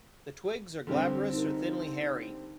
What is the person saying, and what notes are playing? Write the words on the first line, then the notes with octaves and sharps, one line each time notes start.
The twigs are glabrous or thinly hairy.
D3 G3 C4
D#4 A#4